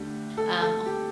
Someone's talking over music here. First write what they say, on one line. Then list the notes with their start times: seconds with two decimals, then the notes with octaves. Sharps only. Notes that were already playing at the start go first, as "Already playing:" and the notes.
Um, h
Already playing: D2 D3 A3 D4 G4
0.37 A4
0.61 A4
0.86 G4